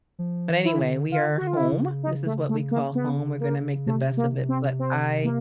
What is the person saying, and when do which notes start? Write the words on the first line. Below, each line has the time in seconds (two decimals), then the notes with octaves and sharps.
But anyway, we are home. This is what we call home, we're gonna make the best of it, but I
0.19 F3
0.49 E3
0.65 E4
0.80 D3
1.10 D3 F4
1.38 D3 F#4
1.47 F4
1.57 E4
1.72 C#3
2.03 D#4
2.26 A3
2.49 A3
2.71 A#3
2.95 B3
3.40 A#3
3.86 C3 A3
4.17 A#3
4.49 C4
4.79 C4
5.24 A#3